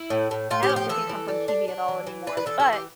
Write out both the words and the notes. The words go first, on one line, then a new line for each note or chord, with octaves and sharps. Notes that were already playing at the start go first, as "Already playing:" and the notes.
I don't think it comes on TV at all anymore, but
Already playing: E4
A2
A2
A2 F4
G4
F3
G4
E3 A4
E3
D4
D4
D4
E3
E3
D4 B4
B4
E3 A4
A4
E3
G4